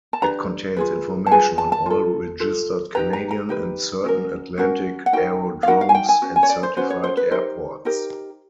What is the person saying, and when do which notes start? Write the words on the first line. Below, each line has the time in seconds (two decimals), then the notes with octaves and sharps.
It contains information on all registered Canadian and certain Atlantic aerodromes and certified airports.
0.13 A5
0.22 D4 G4 B4 A#5
0.77 F4 G#4 B4
1.26 A5
1.31 F4 G#4 B4 G#5
1.58 A5
1.72 A5
1.86 F4 A4
2.40 F4 A4
2.95 D#4 G4 B4 A#5
3.13 A#5
3.31 A#5
3.49 D#4 G4 B4
4.04 C#4 F#4 A#4
4.58 C#4 F#4 A#4
5.06 F#5
5.13 D#4 F#4 A#4 G5
5.63 F5
5.67 D#4 F#4 A#4 F#5
5.81 F5
5.89 G#5
5.95 G5
6.09 G#5
6.22 C#4 F#4
6.36 G#5
6.43 C#5
6.49 D5
6.63 C5
6.76 C#4 F#4 B4 C5
6.90 C#5
7.04 C5
7.17 B4
7.31 D#4 G4 A#4 C5
7.85 D#4 G4 A#4